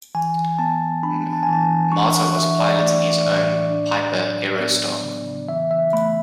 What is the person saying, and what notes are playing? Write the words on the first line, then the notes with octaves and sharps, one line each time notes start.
Mata was piloting his own Piper Aerostar.
E3 G#5
B3 A5
D4 B5
A5
G#5
E3 A5
D4 C#6
F#5
E3 E5
D5
A3 D5
A2 D5
D4
F#3
B3
C#3
E3 E5
E5
A3 B5